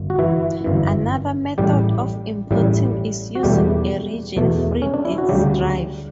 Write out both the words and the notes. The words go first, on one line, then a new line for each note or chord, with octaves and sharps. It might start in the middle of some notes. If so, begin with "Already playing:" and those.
Another method of importing is using a region-free disk drive.
Already playing: G1 F#2
F#4
E3 E4
G1 F#2 E3
A1 A2 G3 G4
A1 A2 G3
F#4
E2 B2 G3 A3 G4
E2 B2 A3
C#4
D4
E4
F#4
D2 C#3 F#3 G3 G4